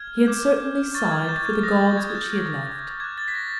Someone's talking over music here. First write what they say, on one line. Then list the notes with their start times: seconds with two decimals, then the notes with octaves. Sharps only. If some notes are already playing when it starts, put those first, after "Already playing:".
He had certainly sighed for the gauds which he had left.
Already playing: F6 G#6
0.26 D6 G6
0.95 C#6 F6 A6
1.12 G#6
1.29 G6
1.46 G#6
1.63 D#6 F#6 A#6
1.81 A6
1.98 G#6
2.09 G#6
2.15 G6
2.32 D#6 G6
3.00 D6 F#6 G#6
3.18 A6
3.28 B6
3.35 A#6